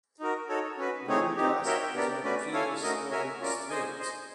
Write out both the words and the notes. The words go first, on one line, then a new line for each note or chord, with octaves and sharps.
Wolgast is on Peenestrom strait.
D#4 F#4 A#4
D#4 F#4 A4 C#5
C#4 F#4 B4
A3 C4 D#4 G#4 C#5
C4 D#4 G4
F#4 A#4 C#5 E5 G5
B3 D4 G4 A#4 D5
A3 C#4 F#4 B4 D5
E4 A4 C#5 F5 G#5
A3 C#4 F#4 A#4 D#5
F#4 A#4 C#5 E5 G#5
C#4 F4 A#4 D5
G#4 C5 D#5 G#5
G#4 C5 D#5